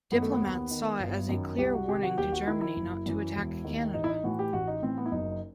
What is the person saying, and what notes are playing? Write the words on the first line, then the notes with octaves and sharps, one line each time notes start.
Diplomats saw it as a clear warning to Germany not to attack Canada.
F#2 D#3 B3
A3
B3
D#2
D#3
G1
F#2 D#3
C2 G4
F#4
C3 D#3 G4
F#4
D#2 G4
F#4
D#3 E4
E4
F#1
F#2 E3
E1
D#2 D#3
A1 D#4
E4
D#4
A2 E3 F#4
G4
A1 F#4
D#4
A2 E3 C4
B3
E4
F#1 D#4